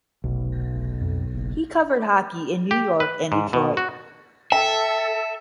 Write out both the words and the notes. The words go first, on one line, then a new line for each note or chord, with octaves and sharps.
He covered hockey in New York and Detroit.
F1 B1
F1
F2
F#1
G4
B4
G#2
B2
F#4
A4 E5 G5